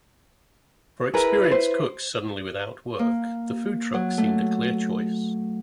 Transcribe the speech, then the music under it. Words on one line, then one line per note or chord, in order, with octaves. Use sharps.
For experienced cooks suddenly without work, the food truck seemed a clear choice.
E4 G#4 A#4 B4
C5
A#3
F#3
A3